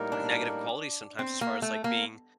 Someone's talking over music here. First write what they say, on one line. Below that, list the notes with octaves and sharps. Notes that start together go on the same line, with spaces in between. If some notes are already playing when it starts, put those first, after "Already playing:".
negative qualities sometimes as far as, like, being
Already playing: A2 G3 A#3 D#4 A#4
D4
C4
A#3
A3
A#3